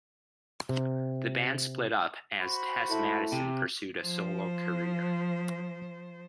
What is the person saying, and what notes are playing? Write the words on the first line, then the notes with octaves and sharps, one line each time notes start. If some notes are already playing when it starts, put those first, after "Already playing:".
The band split up as Tess Mattisson pursued a solo career.
C3
F#4 C5 B5
A3 E4 A4
C3
F3 C5